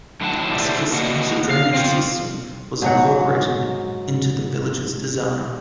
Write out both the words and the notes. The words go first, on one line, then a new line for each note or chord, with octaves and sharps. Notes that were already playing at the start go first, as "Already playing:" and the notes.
A sophisticated drainage system was incorporated into the village's design.
F#2 A2 D#3 F#3 F#5 A5
E4 G4 A4 C5 D5 E5
A#3 F#4 D#5 F#5
F5
C4 F4
G#2 F#3 F#5